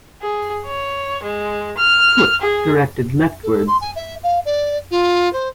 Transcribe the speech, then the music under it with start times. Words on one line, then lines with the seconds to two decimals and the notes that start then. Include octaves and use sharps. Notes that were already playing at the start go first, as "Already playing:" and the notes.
Foot directed leftwards.
0.22 G#4
0.66 C#5
1.23 G#3
1.77 F6
2.41 G#4
3.43 A4
3.67 C6
3.81 G#5
3.96 E5
4.23 F5
4.45 D5
4.91 F4
5.33 C5